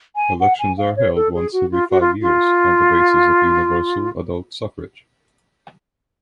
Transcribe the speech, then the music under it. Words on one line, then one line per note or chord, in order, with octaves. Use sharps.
Elections are held once every five years, on the basis of universal adult suffrage.
G#5
F#5
G#5
F5
C#5
A4
G#4
F#4
F4
F#4
F4
F4